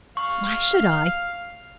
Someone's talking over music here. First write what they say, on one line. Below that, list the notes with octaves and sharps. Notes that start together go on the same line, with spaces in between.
"Why should I?"
F5 C#6